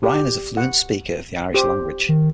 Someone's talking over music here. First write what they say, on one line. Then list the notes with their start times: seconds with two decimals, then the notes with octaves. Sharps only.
Ryan is a fluent speaker of the Irish language.
0.03 G4
0.57 F#5
1.54 G4 C5
2.09 D#3